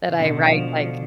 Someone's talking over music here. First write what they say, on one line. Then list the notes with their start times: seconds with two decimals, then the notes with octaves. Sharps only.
that I write, like,
0.08 C#3
0.19 B2 D3
0.44 F3
0.69 D3